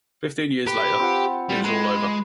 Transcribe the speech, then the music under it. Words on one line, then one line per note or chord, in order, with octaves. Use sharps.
Fifteen years later, it was all over.
G4 B4
C4 F4 F#5
G3
G#3 B4